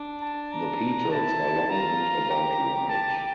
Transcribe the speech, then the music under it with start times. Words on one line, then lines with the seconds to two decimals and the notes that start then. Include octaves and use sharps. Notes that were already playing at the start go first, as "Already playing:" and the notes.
The petals are long and about wide.
Already playing: D4
0.22 A5
0.52 A#5
1.11 E4 A5
1.70 F4 A#5
2.30 G4 A#5
2.89 A5